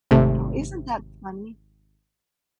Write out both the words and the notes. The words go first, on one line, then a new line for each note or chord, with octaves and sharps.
Oh, isn't that funny?
G#1 C3 A3